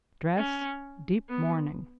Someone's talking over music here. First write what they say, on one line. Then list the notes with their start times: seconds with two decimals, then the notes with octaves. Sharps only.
Dress--deep mourning.
0.37 C#4
1.29 B3